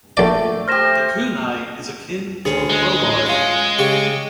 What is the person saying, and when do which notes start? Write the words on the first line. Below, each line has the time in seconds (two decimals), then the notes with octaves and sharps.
The kunai is akin to a crowbar.
0.17 A#1 A3 D5
0.68 G4 C5 F6 A#6 E7
2.45 D2 C#4 G#4
2.69 G#3
3.02 A1
3.26 C#4 F4
3.78 C#3 G4 C#6